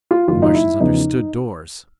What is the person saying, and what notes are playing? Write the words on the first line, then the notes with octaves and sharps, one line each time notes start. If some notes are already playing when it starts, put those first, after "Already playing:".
The Martians understood doors!
F4
F#1 F#2 D#3 F#3 F4
D#4
E4
E2 C#3 F3 D#4